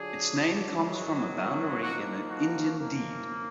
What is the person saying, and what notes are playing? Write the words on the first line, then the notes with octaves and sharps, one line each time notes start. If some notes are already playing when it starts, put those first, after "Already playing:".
Its name comes from a boundary in an Indian deed.
Already playing: D3 F#3 D4 F4 G#4
G#2 D#3 F#3
F3 A#3 D#4 F#4
F#4
F#2 F3 A#3